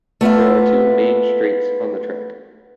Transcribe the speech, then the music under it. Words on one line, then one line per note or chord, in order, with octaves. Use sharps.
There are two main straights on the track.
A3 B3 F4 E5